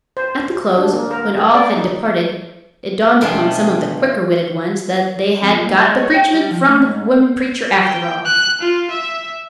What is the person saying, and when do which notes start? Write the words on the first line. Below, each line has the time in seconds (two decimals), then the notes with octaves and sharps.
At the close, when all had departed, it dawned upon some of the quicker-witted ones that they "had got the preachment from the woman preacher, after all."
0.17 C5
0.78 D4
0.93 A#3
1.11 A#4
1.37 G#4
1.54 D5
1.77 D#4
3.21 B2 E3 F3 G3 C#4 D4
5.42 F2
5.54 A#2
5.67 G#2
5.80 G#3
6.02 C#5
6.14 G5
6.34 G3
6.51 F3
6.68 A3
6.85 G#2
7.82 G5
8.26 F#6
8.61 F4
8.90 E5